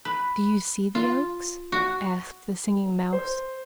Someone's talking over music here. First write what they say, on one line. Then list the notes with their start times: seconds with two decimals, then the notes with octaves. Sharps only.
"Do you see the oaks?" asked the Singing Mouse.
0.05 B4
0.95 F4
1.72 F#4
3.12 C5